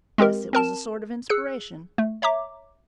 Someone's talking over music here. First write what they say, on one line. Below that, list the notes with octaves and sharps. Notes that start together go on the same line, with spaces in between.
Guess it was a sort of inspiration.
G#3 C4 G4 A#4
C4 A#4 A5 E7
G#4 E6 F#6 C#7
A3
C#5 E5 A#5 D6